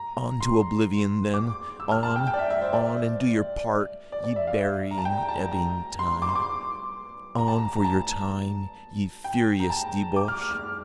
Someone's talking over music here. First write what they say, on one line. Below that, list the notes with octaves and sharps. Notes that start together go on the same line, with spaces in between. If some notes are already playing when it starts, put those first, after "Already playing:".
On to oblivion then! On, on, and do your part, ye burying, ebbing tide! On for your time, ye furious debouche!
Already playing: A#5
C6
D6
E6
F6
A5
G5
G5
D5
E5
E5
C5
D5
D5
D5
D5
E5
F5
A#5
A5
G5
A#5
A5
A#5
A#5
C6
D6
C6
D6
A#5
A5
A#5
A#5
A5
G5
A#5
A5
D6
F6
F6